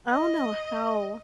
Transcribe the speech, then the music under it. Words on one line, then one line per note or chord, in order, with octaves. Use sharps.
I don't know how
D#5